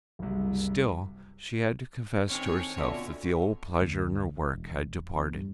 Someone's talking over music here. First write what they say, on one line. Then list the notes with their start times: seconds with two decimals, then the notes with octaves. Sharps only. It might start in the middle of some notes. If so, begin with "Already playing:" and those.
Still she had to confess to herself that the old pleasure in her work had departed.
0.19 F#1 C2
2.28 A2 D#3 C4 C#4 C#5 G#5
2.78 B2 D3 F4 E5
3.81 D2
4.53 E1
5.16 E2
5.34 G2